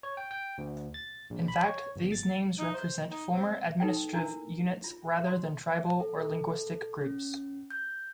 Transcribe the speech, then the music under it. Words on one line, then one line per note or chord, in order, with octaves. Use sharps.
In fact, these names represent former administrative units rather than tribal or linguistic groups.
C#5
G5
G5
D2
A6
A#1
B5
C#5
G1
A6
D#4
C5
D#4
C4
D#4 A4 B4 G5
D4 E4 F#4 A#4
F4
C6
A4
A4
C#4
G6